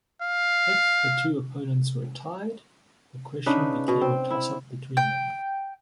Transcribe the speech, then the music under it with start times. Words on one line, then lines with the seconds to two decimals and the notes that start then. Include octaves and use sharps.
If the two opponents were tied, the question became a toss-up between them.
0.22 F5
3.46 C#3 D4 D#4 B4
3.88 B2
4.01 C4
4.31 E4
4.97 G5